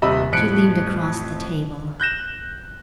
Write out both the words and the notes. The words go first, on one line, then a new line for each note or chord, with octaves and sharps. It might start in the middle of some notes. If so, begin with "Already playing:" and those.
She leaned across the table.
D#1 C3 D#5 E5 B5 E6
F2 A2 F#6 C#7 D7
F#6 G6 A#6 E7